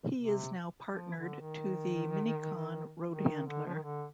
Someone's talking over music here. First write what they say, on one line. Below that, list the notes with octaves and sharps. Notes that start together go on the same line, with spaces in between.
He is now partnered to the Mini-Con Roadhandler.
C3
F3
D3
D#3
D#3
D3
F3
D#3
D3